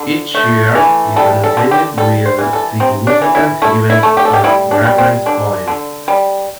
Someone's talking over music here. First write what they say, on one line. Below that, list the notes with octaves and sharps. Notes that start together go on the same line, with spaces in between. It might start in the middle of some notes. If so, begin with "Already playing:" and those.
Each year is annotated with significant events as reference points.
Already playing: D3
A3
E3
G3 A4
A4
D3
G4
G3 A4
C5
E3
A4
C3 C4
D4
E3
E4
A3 E4
E4
A3
G4
A4
G4
G3 E4
D4
G3
C4
D3 D4
D3
G3